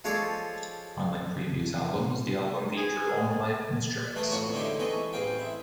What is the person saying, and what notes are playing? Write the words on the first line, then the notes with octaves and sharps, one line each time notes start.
Unlike previous albums, the album featured only live instruments.
F3 G#3 C#4 A4 C#5 D5
G#4
E3 A3 G#4 A#4 A5 D#6
F2 A2 F#4 C#5 C#6
D3 G#3 C4 D#4 E4 G4
E2 G#4 A4 B4 D#5 C#6
A1 E2 C4 G#4 F5 G5
E4